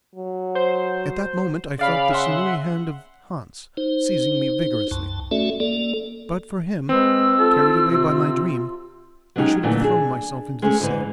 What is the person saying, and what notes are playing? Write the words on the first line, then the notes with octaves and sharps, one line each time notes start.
At that moment I felt the sinewy hand of Hans seizing me vigorously. But for him, carried away by my dream, I should have thrown myself into the sea.
F#3
C5
C#3 D5 F5 B5
E5 F#5 C6
D#4 C5
C2 F#2 A5
A3 C#4 F#4 A4 D5 E5
A#3 A4 D5
G#3 C4 B4 E6
F4 A4
C3
F#3 G#3 C#4 D#4 F#4 G4
A#2 D3 E3 F#3 A3
D4 G#4
G#3 A3 C#4
G#2 D3 E3